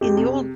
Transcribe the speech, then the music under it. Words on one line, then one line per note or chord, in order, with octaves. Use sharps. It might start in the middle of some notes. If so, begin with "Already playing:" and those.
in the old,
F2 G4
C3
G#4